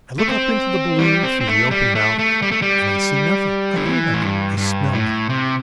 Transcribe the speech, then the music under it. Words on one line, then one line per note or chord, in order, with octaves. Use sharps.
I look up into the balloon through the open mouth, and I see nothing; I hear nothing; I smell nothing.
A3
C4
G3
C4
C4
A3
G3
A3
A3
G3
A3
G3
D3
E3
A2
G2
G2
A2
C3